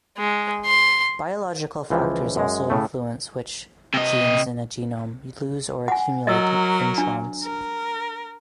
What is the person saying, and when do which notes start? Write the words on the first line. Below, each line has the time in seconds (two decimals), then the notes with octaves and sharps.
Biological factors also influence which genes in a genome lose or accumulate introns.
0.17 G#3
0.65 C6
1.90 C#2 E3 F3
2.36 F#2 G#3
2.70 A2 C#3 A3
3.94 C3 D#5
5.88 F#5 G#5
6.27 F#3 A#4 D#5 E6
6.98 D4
7.43 A#4